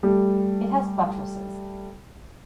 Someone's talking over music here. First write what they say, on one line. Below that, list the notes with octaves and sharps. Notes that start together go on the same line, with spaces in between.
It has buttresses.
G3 A3